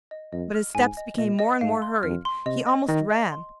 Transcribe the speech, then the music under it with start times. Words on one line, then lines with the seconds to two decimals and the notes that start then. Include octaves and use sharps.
But his steps became more and more hurried, he almost ran.
0.11 D#5
0.32 F2 D#5
0.54 F6
0.75 G#2 G#5
0.97 D#5
1.18 A#2 D#5
1.39 D#5
1.61 G#2 F5
1.82 C6
2.03 F2 F6
2.25 C6
2.45 C3 D#5
2.67 D#5
2.88 D#3 D#5
3.10 D#5
3.32 C6